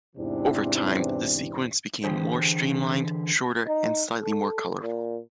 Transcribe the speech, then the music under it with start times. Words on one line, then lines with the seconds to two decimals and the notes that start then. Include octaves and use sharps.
Over time, the sequence became more streamlined, shorter, and slightly more colorful.
0.16 E2 G#2 C3 E3 C4 D4
2.04 D3 E3 G4 G#4 C5
3.67 D#4
4.21 A4
4.82 A#2